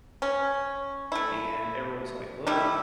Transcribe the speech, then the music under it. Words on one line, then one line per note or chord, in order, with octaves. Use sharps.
and everyone's like, "Look,
C#4
A3 E4
D#3 G3 A3 E4